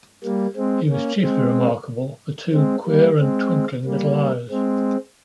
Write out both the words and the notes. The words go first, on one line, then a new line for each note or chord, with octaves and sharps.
He was chiefly remarkable for two queer and twinkling little eyes.
G3 A#3
G#3 C4
A#3 C#4
G#3 C4
G#3 C4
G3 A#3
G#3 C4
G3 A#3
G#3 C4